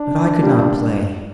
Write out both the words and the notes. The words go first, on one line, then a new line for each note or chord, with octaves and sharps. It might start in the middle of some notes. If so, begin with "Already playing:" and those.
But I could not play.
Already playing: D4
A#2 G3